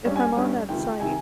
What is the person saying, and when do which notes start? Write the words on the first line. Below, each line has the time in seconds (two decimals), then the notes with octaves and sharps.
if I'm on that site,
0.05 G2 G3 C#4
0.16 G#5
0.36 G2 G3 C#4
0.69 C#2 C3 D#3 G5
1.00 C3 D#3 G#5